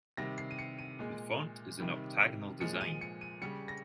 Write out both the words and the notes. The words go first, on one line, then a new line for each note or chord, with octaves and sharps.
The font is an octagonal design.
C3 D#3 G3 A#6
C7
D#7
C#7
D#7
A#2 G#3
C3 D#3 G3
A#2 F3 G#3 C#7
D#7
C#7
D#7
C#3 G3 C#7
A#6